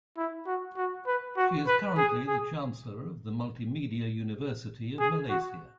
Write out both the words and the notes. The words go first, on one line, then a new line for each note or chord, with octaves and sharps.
She is currently the chancellor of the Multimedia University of Malaysia.
E4
F#4
F#4
B4
F#4
B4
G#4
G#4
G#4
F#4